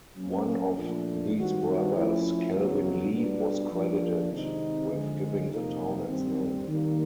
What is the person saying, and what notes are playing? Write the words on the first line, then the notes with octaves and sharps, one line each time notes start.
One of these brothers, Calvin Lee, was credited with giving the town its name.
F#3 A#3 C#4
A#2 F3 A3 D4
D#3 G3 C4 D#4 F#4
F3 A3 C#4 E4
E2 C#3 F#3
B2 G3 B3 D4
F3 A#3 D4
C3 D#3 G#3 C4 D#4
D3 F3 G#3
F2 C3 F3 A#3 D#4
G2 D#3 G3 C4
D#3 G3 A#3